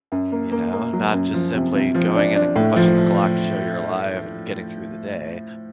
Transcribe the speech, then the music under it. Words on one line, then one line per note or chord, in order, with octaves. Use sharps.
You know? Not just simply going in and punching the clock to show you're alive and getting through the day.
F#2
A#3
A#3
A#3
F#3
F#2
F3
C3
C3
F3
D4
D4
A2
F3